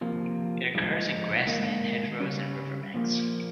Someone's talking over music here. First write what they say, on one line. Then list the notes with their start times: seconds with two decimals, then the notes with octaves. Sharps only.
It occurs in grassland, hedgerows, and river banks.
0.01 C3 F3 A#3
0.75 G2 F3 G#3 D#4
1.47 G#2 D#3 A#3
2.20 C#3 G3 C#4
2.94 A#2 F3 A#3